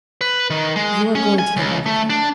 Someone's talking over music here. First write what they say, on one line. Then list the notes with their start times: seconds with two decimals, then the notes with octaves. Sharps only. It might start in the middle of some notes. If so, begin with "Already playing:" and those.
"You are going to get out of here."
0.21 B4
0.50 D#3
0.76 G#3
1.15 C#4
1.39 G#5
1.57 C#2
1.86 A3
2.10 D4